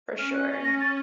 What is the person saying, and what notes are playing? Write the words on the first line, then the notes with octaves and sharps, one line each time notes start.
for sure.
C#4 F6
F#6
A#6
A6